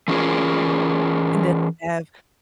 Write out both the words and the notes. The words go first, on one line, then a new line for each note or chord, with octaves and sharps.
And then we have,
E3 A3 C#4 F4 G#4 A#4